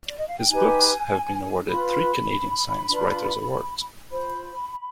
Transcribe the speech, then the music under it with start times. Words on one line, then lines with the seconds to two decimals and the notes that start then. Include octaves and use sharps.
His books have been awarded three Canadian Science Writers' Awards.
0.07 D5
0.17 D#5
0.28 F5
0.40 G5
0.50 D#4 G4 B4 G#5
1.69 F4 B4 B5
2.90 D4 F4 B4
4.10 F4 C5 B5